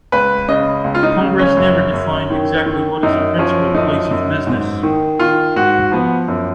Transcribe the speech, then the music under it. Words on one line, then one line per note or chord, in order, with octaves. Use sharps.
Congress never defined exactly what is a principal place of business.
C#2 B4
C#3 D#5
C#2
F4
D#4
C#3
C#4
F#2
F#2
D#3
D#3
F#2 D#4
F3 C#4
F#2 D#4
F#2
G#2
D#3
D#3 F4
G#2 F#4
F3 B3
F#2